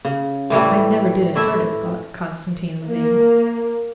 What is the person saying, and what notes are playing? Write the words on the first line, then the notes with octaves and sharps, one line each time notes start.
"I never did assert it," thought Konstantin Levin.
C#3
A2 E3 G3 A3
E3 A3 E4 E5
A#3